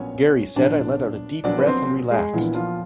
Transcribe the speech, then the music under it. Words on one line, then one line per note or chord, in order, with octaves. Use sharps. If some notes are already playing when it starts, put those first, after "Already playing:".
Geary said I let out a deep breath and relaxed.
Already playing: A#1 A#2 F#3 B3 C#4 C#5
A#1 A#2 F#3 B3 D4 D5
A#1 A#2 F#3 B3 D4 D5
B4
C4 C5
G#3 G#4
A#1 A#2 E3 F#3 B3 E4
F3 F4